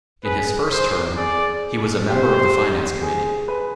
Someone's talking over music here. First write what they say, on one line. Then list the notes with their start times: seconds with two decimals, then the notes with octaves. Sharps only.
In his first term, he was a member of the Finance Committee.
0.24 G#4 B4
0.71 C5
1.17 G#4 D5
2.09 G4 C5
3.02 G#4
3.48 B4